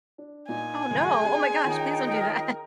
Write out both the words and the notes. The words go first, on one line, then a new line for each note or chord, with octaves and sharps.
Oh, no. Oh my gosh please don't do that.
D4
A#2 D#4 G#5
F#1 D#2 A2 G#3
C4 D4 G4
D#3 C#4 D#4 F4 G5
A#4